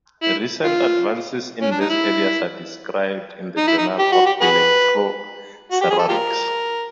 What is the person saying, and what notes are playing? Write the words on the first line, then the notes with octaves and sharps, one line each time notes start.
Recent advances in these areas are described in the Journal of Electroceramics.
E4
F4
C#4
D4
D#4
E4
D#4
E4
D#4
G4
F#4
G4
F#4 G#4 B4
F#4
G4
G#4
A4
F4 G4 A#4